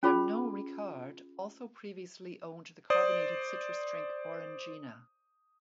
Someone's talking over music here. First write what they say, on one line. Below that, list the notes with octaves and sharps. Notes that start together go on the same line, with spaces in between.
Pernod Ricard also previously owned the carbonated citrus drink Orangina.
C#4 F4 G#4 B5
C5 D5 D#6